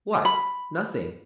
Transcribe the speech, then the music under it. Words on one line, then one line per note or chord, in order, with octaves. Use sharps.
"What! nothing!"
B5